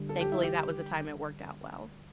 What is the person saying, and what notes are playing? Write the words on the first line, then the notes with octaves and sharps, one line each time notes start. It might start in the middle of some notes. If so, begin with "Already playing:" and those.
thankfully, that was the time it worked out well.
Already playing: D3 G3
A4
G4
E4
G4